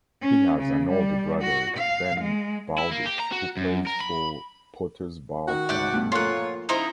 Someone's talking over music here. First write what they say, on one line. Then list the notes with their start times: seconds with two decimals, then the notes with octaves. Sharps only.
He has an older brother, Ben Bowditch, who plays for Potters Bar Town.
0.21 C#4
0.58 C#3
0.91 G3
1.42 F#4
1.77 F5
2.21 G#3
2.78 E4
2.91 A#3
3.06 G4
3.19 A#5
3.32 F#4
3.57 F#2
3.87 A#4
4.01 B5
5.48 D#3 F#4
5.69 G#2 D5 E5 F#5 G5
5.92 D2 G2 B2
6.12 A#2 F3 A3 A#3 F4 C#5 F#5
6.69 C#3 F3 D#4 E4 C5 A#5